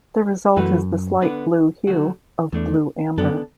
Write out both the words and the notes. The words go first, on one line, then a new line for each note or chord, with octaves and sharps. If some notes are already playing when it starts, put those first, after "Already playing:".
The result is the slight blue hue of blue amber.
F#2 E3 A3 F#4 B4
D3 B3 D4 B4
D3 F#3 A3 F#4
E2 A2 A3 D4
F#2 D3 B3 D4 A4